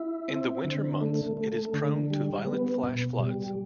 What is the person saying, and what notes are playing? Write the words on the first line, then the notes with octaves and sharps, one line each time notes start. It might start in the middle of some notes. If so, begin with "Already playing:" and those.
In the winter months it is prone to violent flash floods.
Already playing: E4
C4
D3
A3
A3
D3
G3
B3
B2
G3